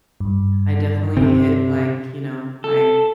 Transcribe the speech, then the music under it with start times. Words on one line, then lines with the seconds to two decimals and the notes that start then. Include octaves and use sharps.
I definitely hit, like, you know, my
0.20 G2
1.17 C3 C4
2.64 A4